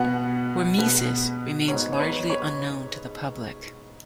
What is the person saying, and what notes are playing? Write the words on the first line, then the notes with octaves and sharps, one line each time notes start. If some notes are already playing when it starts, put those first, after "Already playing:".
Hormesis remains largely unknown to the public.
Already playing: B2 B3 F#4 F#5
B2 B3
G#2 G#3 B3 C#5
C#5
B4
C#5